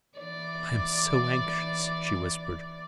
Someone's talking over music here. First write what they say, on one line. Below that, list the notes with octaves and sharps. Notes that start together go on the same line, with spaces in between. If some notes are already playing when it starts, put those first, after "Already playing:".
"I am so anxious," she whispered.
E3 D5